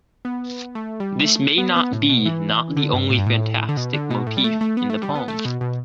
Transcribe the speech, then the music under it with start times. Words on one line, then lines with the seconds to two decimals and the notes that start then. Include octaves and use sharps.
This may not be not the only fantastic motif in the poem.
0.25 B3
0.75 A3
1.00 G3
1.25 A3
1.58 B3
1.76 B3
1.93 A2
2.10 B2
2.26 E3
2.77 D3
2.93 G2
3.10 A2
3.18 G2
3.27 A2
3.69 D3
3.77 B2
3.94 D3
4.11 B2
4.27 A2
4.37 G3
4.44 A3
4.61 A3
4.77 B3
4.90 A3
5.03 G3
5.15 B3
5.28 A3
5.45 B2
5.61 B2